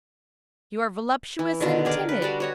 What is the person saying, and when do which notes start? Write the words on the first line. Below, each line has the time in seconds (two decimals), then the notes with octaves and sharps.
You are voluptuous and timid!
1.39 E3
1.60 B2 D3 D#3
1.85 G#4 A#4 D5
2.09 B4
2.22 G3 D4 F#4 D5
2.40 F#4 C#5 D#5